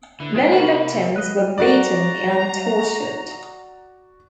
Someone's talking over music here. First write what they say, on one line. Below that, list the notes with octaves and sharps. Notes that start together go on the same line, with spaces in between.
Many victims were beaten and tortured.
D3 E4 B4
C3 G#3 C4 F4 G4
A#3 F#4 A#4 B5
B4 D#5
F#4 D5 A#5